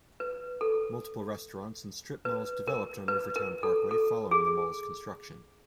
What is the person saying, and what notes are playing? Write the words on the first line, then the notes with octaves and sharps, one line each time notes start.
Multiple restaurants and strip malls developed on Rivertown Parkway following the mall's construction.
B4
A4
B4
A#4
B4
A#4
A4
A4
G#4